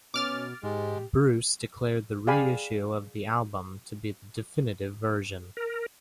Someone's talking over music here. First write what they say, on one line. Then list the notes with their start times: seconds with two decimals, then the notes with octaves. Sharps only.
Bruce declared the reissue of the album to be the "definitive" version.
0.14 B2 C#4 D6 F6 A6
0.63 G#2 G#3 G4
2.27 G#4 D5 F5 G5 G#5 B5
5.57 A#4